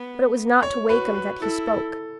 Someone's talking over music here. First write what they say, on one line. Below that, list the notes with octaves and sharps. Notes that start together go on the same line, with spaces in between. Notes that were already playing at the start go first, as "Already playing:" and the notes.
But it was not to Wakem that he spoke.
Already playing: B3
C#5
F#4 B4
B4
E4 A4
A4